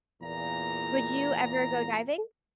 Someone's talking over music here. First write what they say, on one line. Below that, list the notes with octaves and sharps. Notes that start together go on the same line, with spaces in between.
Would you ever go diving?
E2 A#2 A#5